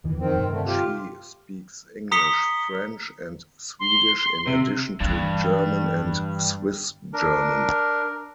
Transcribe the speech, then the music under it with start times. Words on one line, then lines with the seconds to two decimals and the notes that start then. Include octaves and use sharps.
She speaks English, French and Swedish in addition to German and Swiss German.
0.04 E2 D#3 E3
0.18 F2 D#3 F3 C4
0.36 G2 C3
0.49 D3 A3
0.66 F4 G4
2.11 A#5 D#6 B6 C#7 G7
3.80 C6
4.47 C3
5.01 G2 E3 G3
7.13 D4 A#4